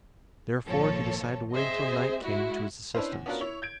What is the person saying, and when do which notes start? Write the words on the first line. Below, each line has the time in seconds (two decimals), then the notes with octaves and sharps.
Therefore, he decided to wait until night came to his assistance.
0.67 G#1 A#2 F3 A4 C#5
1.53 C4 G#4 C5 D#5 E5
2.24 G#3 E4 F#4
2.95 C#4 D4 E4 B4 C5
3.13 E2
3.26 B3 C#4 D4 F4 F#4 A#4
3.41 E4 C#5
3.62 G6 G#6 D7